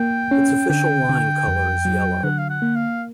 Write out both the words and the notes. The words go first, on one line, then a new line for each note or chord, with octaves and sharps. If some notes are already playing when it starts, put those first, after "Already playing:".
Its official line color is yellow.
Already playing: A#3 G5
C#4
D3 G5
D3
F2
F#3
D3 F#5
F5
F#5
A#3
F5